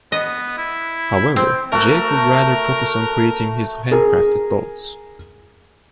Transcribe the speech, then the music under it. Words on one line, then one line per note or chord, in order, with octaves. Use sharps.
However, Jake would rather focus on creating his handcrafted boats.
B3 D#5
E4
C4 G5
A3 F#4 A#4
G#4 A#4